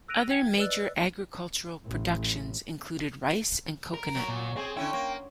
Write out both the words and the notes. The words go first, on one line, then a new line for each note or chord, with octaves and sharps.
Other major agricultural productions included rice and coconut.
E6 F#6 A#6 D7 D#7 F7
G5 G#6 B6
B4 D5 D#5 E6 F#6 A6
A1
A#4
F#3
A#2
C4 G#4 G#5
D3 C#4 E4 G5
A#3